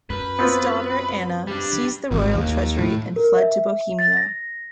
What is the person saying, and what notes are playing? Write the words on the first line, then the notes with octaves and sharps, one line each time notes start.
His daughter, Anna, seized the royal treasury and fled to Bohemia.
F#2 B4
B3 C4 F4
G3 D4
G#1
D#2
A2
A#4
E5
A6
A#6